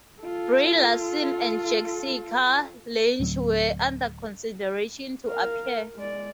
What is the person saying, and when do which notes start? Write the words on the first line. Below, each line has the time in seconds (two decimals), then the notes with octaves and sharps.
Brie Larson and Jessica Lange were under consideration to appear.
0.21 F4 A4
3.20 D1 D2 F#3 C4
5.27 A#4 F5
5.95 G#3 D5